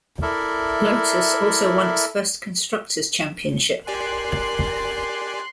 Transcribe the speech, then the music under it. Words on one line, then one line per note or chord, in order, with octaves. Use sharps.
Lotus also won its first constructors' championship.
E4 A4 A#4 D5 E5
G4 A#4 D5 G#5 C6 F#6